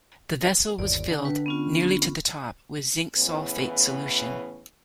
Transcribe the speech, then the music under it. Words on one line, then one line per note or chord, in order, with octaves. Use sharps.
The vessel was filled, nearly to the top, with zinc sulfate solution.
G1 D#2 D5
D3
D4 B4
B3 C#4 F4
A2 C#3 E3 B3